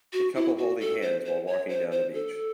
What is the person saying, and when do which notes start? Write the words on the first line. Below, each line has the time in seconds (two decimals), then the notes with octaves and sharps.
A couple holding hands while walking down the beach.
0.13 F#4
0.35 E4
0.58 F#4
0.80 A4
1.02 C5
1.25 C5
1.47 C#5
1.69 C5
1.92 C5
2.14 A4